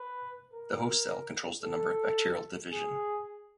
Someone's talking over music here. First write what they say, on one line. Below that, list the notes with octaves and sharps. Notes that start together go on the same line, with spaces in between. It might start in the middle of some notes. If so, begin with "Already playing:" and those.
The host cell controls the number of bacterial division.
Already playing: B4
A#4
A4
G#4